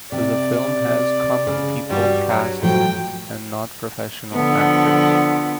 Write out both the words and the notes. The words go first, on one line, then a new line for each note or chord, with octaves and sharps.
The film has common people cast and not professional actors.
C3 D5
C#3
G2 G3 F#4
F#3
A2 F3 F#3 G5
D3 F3 B3